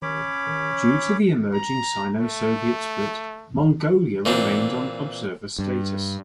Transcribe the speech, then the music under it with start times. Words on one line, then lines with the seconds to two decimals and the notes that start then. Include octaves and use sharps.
Due to the emerging Sino-Soviet split, Mongolia remained on observer status.
0.02 C#4 C#5 B5 D6
1.54 A#5
2.21 A3
4.25 A#2 E3 C4 D4
5.59 G2